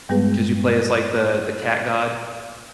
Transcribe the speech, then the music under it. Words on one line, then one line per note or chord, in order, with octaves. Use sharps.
'cause you play as, like, the the cat god.
G2 G3 G#3 B3 G#4 B4